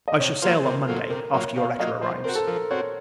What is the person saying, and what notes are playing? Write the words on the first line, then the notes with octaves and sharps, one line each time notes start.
I shall sail, on Monday, after your letter arrives.
D#5
C3 C#5
F#3 A#3 F4 C5
C3 A#4
F#3 A#3 F4 A4
C3 A#4
F#3 A#3 F4 C#5
C3 F5
F#3 A#3 F4 D#5
F3 C5
C5
C4 F#4 A#4
A4
F3 A#4
C4 F#4 C#5